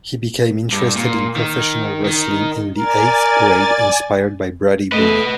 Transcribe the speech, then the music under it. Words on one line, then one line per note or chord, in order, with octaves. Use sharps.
He became interested in professional wrestling in the eighth grade, inspired by Brady Boone.
G2
A#2
D#3
D#3
A#4 D5 G#5 A6
A3 B4 D#5